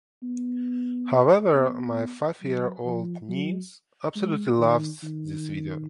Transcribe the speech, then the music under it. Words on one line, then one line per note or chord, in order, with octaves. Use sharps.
However my five year old niece absolutely loves this video.
B3
B3
F#3
F3
F#3
G#3
D#3
D#3